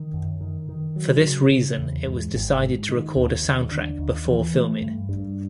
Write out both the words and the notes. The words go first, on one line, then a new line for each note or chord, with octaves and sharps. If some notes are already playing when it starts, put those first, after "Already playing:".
For this reason it was decided to record a soundtrack before filming.
Already playing: D#3
F#2
D#3
D#3
F#3
C#3
C#3
E2
G#2
G#1
G#2
D#3
D#2
D#2
D3
D#2
E3
A3
G2
G2